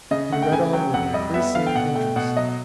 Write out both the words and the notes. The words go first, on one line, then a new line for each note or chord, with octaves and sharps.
He read on with increasing interest.
C#3 D#5
A3 F#5
G5
C#3 G#5
F#3 G5
F2 F#5
G3 D#5
B3 E5
D3 F5
G5
B2 F#5
A3 G5
B2 F#5
F#3 D#5